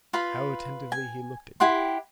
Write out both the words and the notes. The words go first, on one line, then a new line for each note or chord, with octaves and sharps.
"How attentively he looked at you."
F4 B4 B5
G#5
E4 G4 F#5 C6